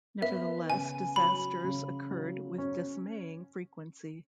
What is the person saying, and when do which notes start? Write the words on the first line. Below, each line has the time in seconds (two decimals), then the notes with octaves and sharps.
Nevertheless, disasters occurred with dismaying frequency.
0.22 B3 E5
0.70 C#3 G#5
1.16 F#3 B5
1.64 C#3
2.11 F#3
2.58 C#4